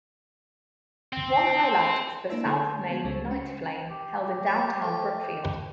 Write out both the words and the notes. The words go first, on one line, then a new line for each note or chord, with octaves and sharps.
One highlight is the "South Main Night Flame", held in downtown Brookfield.
C4
A#3 D4 E4 B4 E5
D3 A3 G#4 A4 C6 G6
G#3 B3 F#4
C#2 C#3 G#3 A3
C#4
G4
C#5 G5 C#6
A3 G5